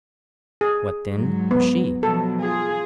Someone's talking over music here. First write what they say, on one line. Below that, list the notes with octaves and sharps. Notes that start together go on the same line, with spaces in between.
What, then, was she?
G#4
G#2 F#3
B3
B2 F3 F#3 A4
F4 G#4